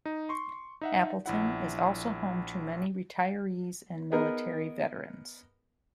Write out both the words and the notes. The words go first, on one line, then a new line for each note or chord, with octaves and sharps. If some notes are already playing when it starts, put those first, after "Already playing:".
Appleton is also home to many retirees and military veterans.
D#4
C6 C#6
D#4 E5 F#5
A#1 E4 F#5
B3 D#4 G#4 A#4